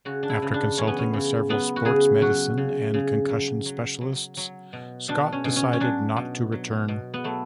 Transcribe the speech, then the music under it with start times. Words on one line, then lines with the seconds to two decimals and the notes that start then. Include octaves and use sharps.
After consulting with several sports medicine and concussion specialists Scott decided not to return.
0.05 C#3 F#4
0.23 D4
0.30 E4
0.42 C#3
0.54 D4
0.77 E3 C#4
0.87 B3
0.99 C#4
1.13 C#3
1.49 F#3 B3
1.76 F#4
1.85 C#3 G#4
2.21 F#3 F#4
2.58 C#3
2.94 C#3
3.29 F#3
3.65 F#3
4.01 F#3
4.37 F#3
4.73 B2
5.08 B2 D4
5.32 C#4
5.44 B2
5.56 C#4
5.73 C#4
5.80 F#3 D4
6.16 B2
6.52 F#3
6.88 B2
7.14 B3
7.24 F#3 A3